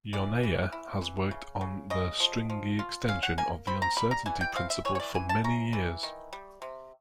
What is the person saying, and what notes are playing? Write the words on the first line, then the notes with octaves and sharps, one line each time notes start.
Yoneya has worked on the stringy extension of the uncertainty principle for many years.
E3 D5
E3
E4
E3
C#3
C#3
C#3 D#5
F3
F3
F4
C#4 F5
F#5
A#3 G#5
C4 B5
A#5
G3 B5
A#5
E3 G#5
G5
C4 F5
E5
E3 C#5
C#5
D5
E3 G#5
A5
C#4 A#5
E3
D#3
G3
C3